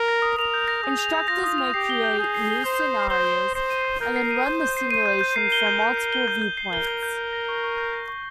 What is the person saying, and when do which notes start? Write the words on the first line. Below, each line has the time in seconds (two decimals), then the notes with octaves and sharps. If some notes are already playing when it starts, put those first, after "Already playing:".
Instructors may create new scenarios and then run the simulation from multiple viewpoints.
Already playing: A#4
0.08 A#6
0.22 D#6
0.38 A#4 F7
0.54 G6
0.68 A#6
0.83 G#4 D#6
0.99 F7
1.13 G6
1.28 F4 A#6
1.44 D#6
1.58 F7
1.74 G4 C7
1.90 G7
2.04 G6
2.19 G#4 G6
2.35 C7
2.50 G7
2.64 C5 G6
2.80 G6
2.95 C7
3.10 C5 G7
3.25 G6
3.41 G6
3.55 C5 C7
3.70 D#7
3.85 G6
4.01 A#4 G6
4.16 C7
4.31 D#7
4.46 C5 G6
4.61 G6
4.77 C7
4.91 C5 D#7
5.06 G6
5.21 G6
5.36 A#4 C7
5.52 G7
5.67 G6
5.82 G6
5.97 C7
6.13 G7
6.28 G6
6.42 G6
6.57 C7
6.72 A#4 G7
6.87 G6
7.03 G6
7.17 G6
7.33 A#6
7.49 C#6
7.64 C#6
7.78 G6
7.93 A#6
8.08 C#6